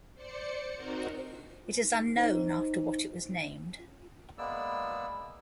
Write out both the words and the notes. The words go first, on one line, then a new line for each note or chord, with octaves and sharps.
It is unknown after what it was named.
C5 D5 C#7
C4 D#4 F#4 A#4 C5
D#4 C5
G#3 A#3 B3 D5 E6